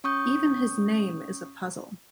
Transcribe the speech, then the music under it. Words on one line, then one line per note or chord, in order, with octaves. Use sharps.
Even his name is a puzzle.
C#4 C#6 D#6 G6